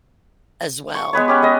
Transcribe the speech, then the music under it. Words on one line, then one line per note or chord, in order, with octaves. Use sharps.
as well.
C#6
G#3 B3 B4 C#5
B3 C#4 G4
G#3 D#5